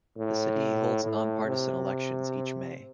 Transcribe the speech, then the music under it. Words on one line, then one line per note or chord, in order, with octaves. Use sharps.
The city holds nonpartisan elections each May.
A2
A2
C3